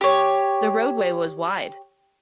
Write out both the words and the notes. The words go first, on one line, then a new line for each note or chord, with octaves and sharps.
The roadway was wide.
G4 C#5